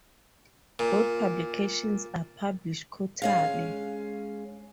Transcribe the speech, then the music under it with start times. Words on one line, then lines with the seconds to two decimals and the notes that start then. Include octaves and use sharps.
Both publications are published quarterly.
0.79 A#2
3.22 G#3 C#4 F5